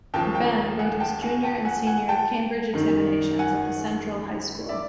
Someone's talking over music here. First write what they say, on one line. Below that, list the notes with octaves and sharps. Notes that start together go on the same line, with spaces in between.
Benn wrote his Junior and Senior Cambridge Examinations at the Central High School.
D#2 C#3 F3 G5 A5
G5 A5
F#5 G#5
G5 A5
F#5 G#5
G5 A5
F#5 G#5
F#5 G#5
G5 A5
F#2 D#3
F#5 G#5
D5 E5